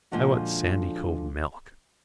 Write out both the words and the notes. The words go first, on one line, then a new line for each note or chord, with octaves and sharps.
I want Sandycove milk.
A#2 D3 F3 G#3 D4 F#4